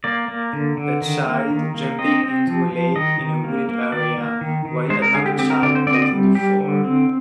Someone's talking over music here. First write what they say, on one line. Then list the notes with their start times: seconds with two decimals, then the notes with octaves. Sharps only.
A child jumping into a lake in a wooded area while another child plays on the shore.
0.04 A#3 D5
0.28 A#3
0.53 D3
0.77 D3
1.02 D#3
1.25 A#3
1.50 D#3
1.74 A#3
1.98 C4 D#5
2.24 C4
2.47 F3
2.72 F3
2.96 D#3 D#5
3.20 D#3
3.44 A#3
3.69 A#3
3.92 D#3 D5
4.18 A#3
4.41 D#3
4.65 D#3
4.90 G#3 C5
5.02 A#4
5.14 D3 G#4
5.26 G4
5.38 C4 G4
5.50 A#4
5.63 D3 D5
5.75 C5
5.87 C4 D5
5.94 D#5
6.02 D5
6.12 G3
6.35 G3 G4
6.60 D3
6.84 C4